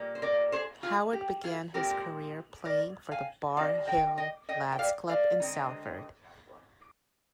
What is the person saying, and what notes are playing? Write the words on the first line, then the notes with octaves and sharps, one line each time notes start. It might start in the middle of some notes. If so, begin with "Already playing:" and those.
Howard began his career playing for the Barr Hill Lads Club in Salford.
Already playing: A#2 G3 A#3
C5
A#4 D5
G#4 C5
F4 G#4
G4
F4 G#4
A#2 G#3 C4 G4 A#4
A#4 D5
F5 G#5
D#3 G3 C4 D#4 D5 F5
D#5 G5
D#5 G5
D#5 G5
G5
D5 F5
D5 F5
D3 G#3 C4 D#4